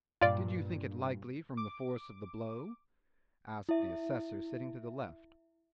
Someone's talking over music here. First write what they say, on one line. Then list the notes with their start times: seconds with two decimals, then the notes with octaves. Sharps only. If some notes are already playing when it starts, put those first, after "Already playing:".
Did you think it likely from the force of the blow?' asked the assessor sitting to the left.
0.21 G2 A#2 F4 D5
1.57 D6
3.69 E4 E5